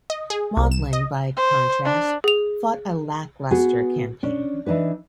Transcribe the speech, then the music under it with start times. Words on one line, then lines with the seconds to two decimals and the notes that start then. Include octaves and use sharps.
Maudling, by contrast, fought a lacklustre campaign.
0.10 D#5
0.30 G#4
0.57 C2
0.71 E7
0.93 D#5
1.37 C5
1.85 D4
2.24 G#4 F7
3.51 B3 F#4 G#4
4.23 C#4 D4
4.66 E3 D4 D#4 B4